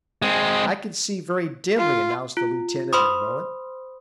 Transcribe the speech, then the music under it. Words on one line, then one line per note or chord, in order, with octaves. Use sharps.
"I can see very dimly," announced the lieutenant in a moment.
G#3 C4
F4
F4
C5 B5 C6 D#6